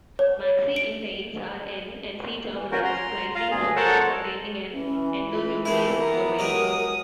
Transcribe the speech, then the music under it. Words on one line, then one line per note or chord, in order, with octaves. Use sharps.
Maxi-inteins are N- and C-terminal splicing domains containing an endonuclease domain.
C#5
D7
E3
C#4 F4 F#4 A#4 C5
A#5 C6
F4 F5 A#5
D2 G2 G#4
A4 A#4 C5 C#5 F#5 A5
E3 C#4
F4 B4
A3 E4 G4 G#4 A#4
B3 A#4 A#5
F#3 G#3 G4 D#6